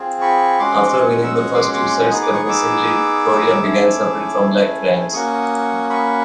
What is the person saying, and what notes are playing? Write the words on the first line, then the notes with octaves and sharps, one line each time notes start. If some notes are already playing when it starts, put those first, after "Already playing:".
After winning the first two sets convincingly, Coria began suffering from leg cramps.
Already playing: C4 F4 G#4
B5 C#6
G#3 C#4 F#4 C6 D6
E6
C#6 D#6
E6
C#6 D#6
C6 D6
C6 D6
B3 D#4 G#4 D#6
D6
C#6 D#6
D6 E6
A3 C#4 E4 G#4
A#3 C#4 F#4 C#6 D#6
B5 C#6